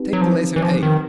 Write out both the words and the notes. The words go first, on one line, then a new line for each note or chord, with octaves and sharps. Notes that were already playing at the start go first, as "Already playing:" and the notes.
Take the letter a.
Already playing: C4 D#4 G4 B4
F#3
F3
E3
F3
D#3